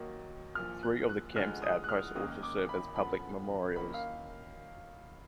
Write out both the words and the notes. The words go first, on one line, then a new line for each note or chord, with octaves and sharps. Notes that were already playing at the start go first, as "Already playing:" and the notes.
Three of the camp's outposts also serve as public memorials.
Already playing: D#2 D#3 F#3 A#3
A#1 A#2 F3 F6
F#6
F#6
D2 D3 F3 G#3 F6
D#6
F#6
F6
G#1 F#2 D#3 A#3 D#6
D6
B5
F#2 D3 F3 B3 B5
F#2 D#3 A#3 B5
F5